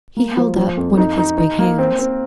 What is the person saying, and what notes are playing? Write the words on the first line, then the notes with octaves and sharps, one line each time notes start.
'He held up one of his big hands.
A#3
F3
F3
F2
D#4
D#4
D#4
A#3
C4
C4